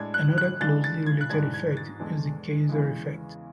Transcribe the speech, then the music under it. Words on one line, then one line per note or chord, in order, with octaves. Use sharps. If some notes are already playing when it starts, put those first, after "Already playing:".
Another, closely related effect is the Kaiser effect.
Already playing: A2 G#3 D4 G#6
F#6
F#6
C#3 E3 G#3 D4 A6
A6
G#6
F#6
G#2 E3 G#3 D4 G#6
G#6
A6
E2 D3 G#3 D4
E2 C#3 E3 G#3